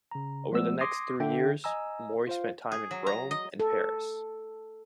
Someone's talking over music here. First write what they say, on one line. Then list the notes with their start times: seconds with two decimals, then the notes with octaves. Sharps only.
Over the next three years, Mori spent time in Rome and Paris.
0.11 C#3 A#5
0.52 F3 G#3 A3 B3 D5 E6
0.81 C6 D6 D#6 G#6 A#6 C7
1.20 D3 E5 G5
1.64 D#5 G#5 A#5 E6
2.27 F4 C5 F5
2.72 G#4
2.91 F#3
3.07 A#5
3.31 D#5
3.60 A4